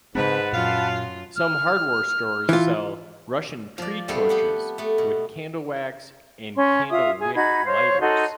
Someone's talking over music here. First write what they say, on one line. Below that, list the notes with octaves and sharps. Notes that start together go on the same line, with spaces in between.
Some hardware stores sell "Russian tree torches" with candle wax and candle wick lighters.
G#2 C#3 G#3 C4 B4 F#5 A5 B5
F#2 A#2 F4 F5
F6
E3 F4
F3 D5
G3 A3 B3 C4 A4
B3 G4 F#5
A3 B3
B2
C#4 C6
F4 E5 F5 D#6
G#4
D#4 F#4 B5 G#6
C5 C#5 F5
D#4 F#4 A4 C6